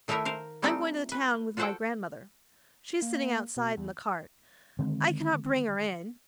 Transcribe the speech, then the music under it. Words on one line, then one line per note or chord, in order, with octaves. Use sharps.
'I am going to the town with my grandmother. She is sitting outside in the cart; I cannot bring her in.
D#3 A3 D#4 E4 A#4 E5
A#4 C5 F5
G3 A3 C4 D#4 F4 G4
B4
F4 F#4 A4 C5 F#5 G5
A#3
B2
E2
D3 D#3 G#3 C4